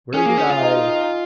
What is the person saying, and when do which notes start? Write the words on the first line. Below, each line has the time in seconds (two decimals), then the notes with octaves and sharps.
Where did I?
0.14 C#4 G#4
0.26 A#3
0.38 C#4
0.50 F4
0.61 D#4